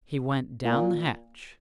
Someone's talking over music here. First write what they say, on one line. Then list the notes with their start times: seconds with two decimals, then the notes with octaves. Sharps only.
He went down the hatch.
0.65 A#2